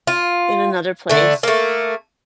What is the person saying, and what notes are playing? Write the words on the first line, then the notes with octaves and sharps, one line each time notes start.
in another place.
F4
D3 A3
A3 A#3